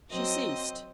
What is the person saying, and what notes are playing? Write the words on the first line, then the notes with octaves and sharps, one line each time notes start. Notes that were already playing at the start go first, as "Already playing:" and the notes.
She ceased.
F#3 C4 C5 D#5